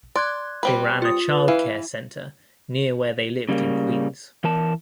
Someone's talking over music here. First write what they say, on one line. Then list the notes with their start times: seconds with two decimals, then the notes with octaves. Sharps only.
They ran a child-care center near where they lived in Queens.
0.16 D5 C6 F#6 G#6
0.63 G3 C4 B4
1.02 F4 D#6
1.28 B4
1.48 E3 E4 F5
3.49 C#3 G3 A#3
4.44 E3 A#4 A5